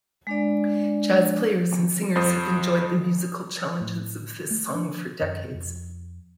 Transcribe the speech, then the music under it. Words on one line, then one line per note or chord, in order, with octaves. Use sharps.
Jazz players and singers have enjoyed the musical challenges of this song for decades.
G#3 D4 D5
F2 C5 D#6
A2
A3
D4
F#2
F2